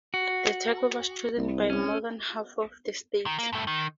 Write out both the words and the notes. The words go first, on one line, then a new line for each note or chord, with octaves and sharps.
A turtle was chosen by more than half of the states.
F#4
C2
C#4
D#3
A#3
G2 A3
D#3